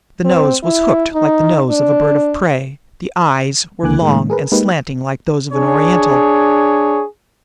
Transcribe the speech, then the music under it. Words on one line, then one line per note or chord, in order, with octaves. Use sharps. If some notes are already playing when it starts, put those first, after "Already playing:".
The nose was hooked like the nose of a bird of prey; the eyes were long and slanting like those of an Oriental.
C4
E4
D#4
D4
C#2 D3 A#3 G#5 D6 F#6
A2 D#3 G#3 A#3
G#4 A#4 B4
G#3 A#3 D#4 G4 B4
D4 G#4 C#5